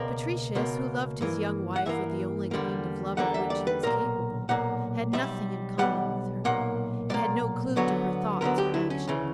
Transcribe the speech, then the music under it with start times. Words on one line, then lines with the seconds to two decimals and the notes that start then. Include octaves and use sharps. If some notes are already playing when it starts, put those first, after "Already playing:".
Patricius, who loved his young wife with the only kind of love of which he was capable, had nothing in common with her, and had no clue to her thoughts or actions.
Already playing: C#2 B2 A#3 D5
0.55 C#2 B2 A#3
1.21 G2 E3 A#3
1.76 F#5
1.86 G2 E3 A#3 E5
2.51 E2 D3 G3 A#3
3.17 E2 D3 G3 A#3 F#5
3.34 E5
3.50 D5
3.67 B4
3.83 B1 A#2 A#3 A#4
4.49 B1 A#2 A#3 F#5
5.13 B1 B2 G3 E5
5.79 B1 B2 G3 F#5
6.45 B1 A#2 A#3 F#5
7.10 B1 A#2 A#3 D5
7.76 D2 D3 F#3 B3 C#5
8.41 D2 D3 F#3 B3 A#4
8.58 G4
8.74 E4
8.90 C#4
9.07 D2 C#3 E3